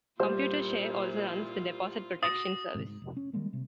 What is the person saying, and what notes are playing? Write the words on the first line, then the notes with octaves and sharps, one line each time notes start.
Computershare also runs The Deposit Protection Service.
A#2 G3 E4 F4 C5
F#4 D#6 A6 A#6
G#2 C3 D#3
G#2
F1
C#4
D#3 G3 G#3 A#3
C3